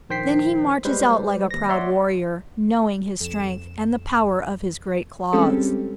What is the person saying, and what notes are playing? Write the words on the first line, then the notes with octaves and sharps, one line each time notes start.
Then he marches out like a proud warrior, knowing his strength, and the power of his great claws.
A#1 D#3 C5 G5 B6 C7
G3 G#3 B4 C5
D#2 A#6
C#5 D5 E5 F#5 C6
F2 E7
G3 G#3 C4 C#4 G4 A4